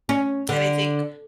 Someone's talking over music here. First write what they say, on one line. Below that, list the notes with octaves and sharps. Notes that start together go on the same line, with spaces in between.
and I think
C#4
D3